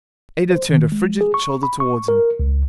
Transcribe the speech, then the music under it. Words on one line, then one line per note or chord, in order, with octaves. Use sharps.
Ada turned a frigid shoulder towards him.
C5
D#3
G#3
G#4
C#6
B5
C#6
A#4
C#2